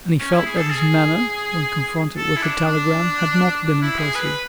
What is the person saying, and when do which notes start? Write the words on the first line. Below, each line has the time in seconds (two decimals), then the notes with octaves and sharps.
And he felt that his manner when confronted with the telegram had not been impressive.
0.20 C#4
0.32 E4
0.45 G#4
0.56 A4
0.70 G#4
2.17 A4
2.36 E4
2.42 D4
2.67 D4
3.65 D4
3.82 E4
3.99 G#4
4.15 B4